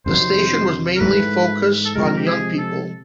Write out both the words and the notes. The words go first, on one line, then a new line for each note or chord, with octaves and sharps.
The station was mainly focus on young people.
F2 C3 D#3 F#3 C5
A#4
G#2 E3 A3 B4
A4
C3 F3 G#3 A#4
G4
G#4
A4